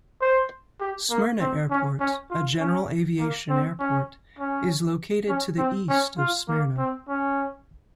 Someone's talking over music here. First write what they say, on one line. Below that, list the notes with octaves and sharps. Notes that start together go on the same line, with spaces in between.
Smyrna Airport, a general aviation airport, is located to the east of Smyrna.
C5
G4
A#3
C4
C#4
C#4
F4
C#4
A#3
C4
C#4
C#4
C#4
C4
C#4
F4
A#3
C4
C#4